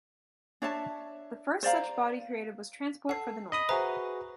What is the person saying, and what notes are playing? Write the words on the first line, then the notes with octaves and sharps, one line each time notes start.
The first such body created was Transport for the North.
D4 C#5 E5 A5
C5 D5 F5 A#5
A4 F#5 C7
D#5 B5 D#6
F#4 G#4 B4 C5 E5 A#5